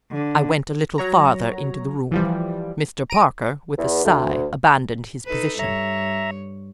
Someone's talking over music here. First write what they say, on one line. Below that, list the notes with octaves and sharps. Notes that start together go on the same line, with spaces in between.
I went a little farther into the room, Mr. Parker, with a sigh, abandoned his position.
D3
F#3 C#5 A#5
E3 F3 G3
A#5 D7 D#7
E2
D2
D#4 A4 B4
G2 C#5 E5 A#5